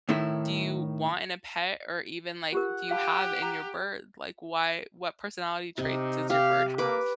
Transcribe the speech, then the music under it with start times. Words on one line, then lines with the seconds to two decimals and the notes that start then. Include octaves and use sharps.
do you want in a pet, or even, like, do you have in your bird? Like why what personality traits does your bird have?
0.09 A2 D#3 E4
2.53 F4 G4 A#4 F#5
2.91 G4 F5 A5 B5
3.42 A#5
5.78 C3 D#4
6.30 G4 F5
6.78 A#3 B4 D6